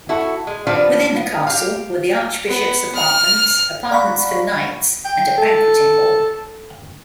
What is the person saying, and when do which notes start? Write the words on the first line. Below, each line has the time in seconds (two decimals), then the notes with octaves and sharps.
Within the castle were the Archbishop's apartments, apartments for knights and a banqueting hall.
0.09 E4 F#4 A4
0.47 G#3
0.67 D#3 F3 G3 B3 D4 F4
1.15 B3
1.47 G4 F5
2.48 B3
2.95 F6
3.91 D5 F5 F#5 A#5 B5 C#6
5.05 G5
5.37 A4